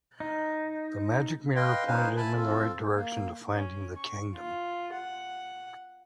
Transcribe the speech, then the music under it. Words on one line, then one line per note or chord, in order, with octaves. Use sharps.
The magic mirror pointed him in the right direction to finding the kingdom.
D#4
B4 D#5 F5 G5 C6
C#4 D#4 B4 C5 F5 G#5
E4 G#5 A5 B5
C4 F4 A4
A#3
C#4
C#6
F4
F#5